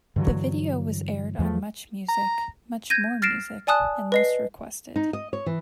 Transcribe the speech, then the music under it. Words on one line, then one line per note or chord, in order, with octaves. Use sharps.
The video was aired on MuchMusic, MuchMoreMusic and Most Requested.
G2 D3 E3 F#3
E2 F3 G3 A3
A#5
G6 G#6 A#6 D#7
F6 A6 A#6 C7 D7 E7
D5 G#5 A5 D#6 F#6
B4 D#5 C7
D#4
D#5
C#5
E3